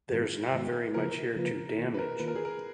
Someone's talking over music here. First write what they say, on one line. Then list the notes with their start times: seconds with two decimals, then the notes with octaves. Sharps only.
There's not very much here to damage.
0.11 G#2 D#3 G#3 B3 F#4
0.53 G#2 D#3 G#3 B3 F#4
0.94 C#3 F3 A#3 F4 A#4 B4
1.36 C#3 F3 A#3 F4 B4
1.78 D#3 A#3 F4
1.94 B4
1.99 A#4
2.20 D#3 A#3 F4 B4
2.28 A#4
2.36 G#4
2.45 A#4